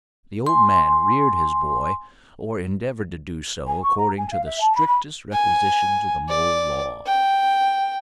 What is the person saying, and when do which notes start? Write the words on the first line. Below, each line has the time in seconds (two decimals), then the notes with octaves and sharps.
The old man reared his boy--or endeavored to do so--according to the strictest requisitions of the moral law.
0.46 G#5 C6
3.67 G#5
3.83 C#6
3.98 A#5
4.18 G#5
4.31 F5
4.45 E5
4.61 A5
4.75 B5
4.87 B5
5.33 G#5
6.29 D5
7.06 G5